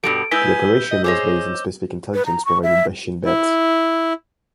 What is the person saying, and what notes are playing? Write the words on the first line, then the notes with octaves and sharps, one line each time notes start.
The operation was based on specific intelligence provided by Shin Bet.
G2 B2 G3 A4 D7
G#3 E4 B4 G#5 E6 G6 B6 G7
D#5
G#4 C5 C#5 D#5 D6
B4
A#5
C#6
E5
E4